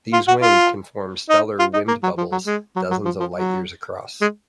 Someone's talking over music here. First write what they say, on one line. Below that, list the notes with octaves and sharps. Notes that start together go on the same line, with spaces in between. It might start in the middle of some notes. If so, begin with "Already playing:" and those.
These winds can form stellar wind bubbles dozens of light years across.
F4
F#4
F4
D#4
F4
D#4
A#3
F#3
F3
F#3
G#3
F#3
F#3
F3
F3
F#3
G#3